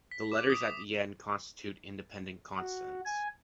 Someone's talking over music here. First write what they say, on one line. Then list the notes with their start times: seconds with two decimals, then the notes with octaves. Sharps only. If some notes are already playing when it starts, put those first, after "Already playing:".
The letters at the end constitute independent consonants.
0.11 B6
0.32 D6
0.50 D#6
2.59 F#4
3.05 G#5